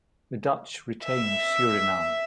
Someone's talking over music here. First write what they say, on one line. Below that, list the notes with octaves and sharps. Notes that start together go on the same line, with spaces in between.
The Dutch retained Suriname.
E5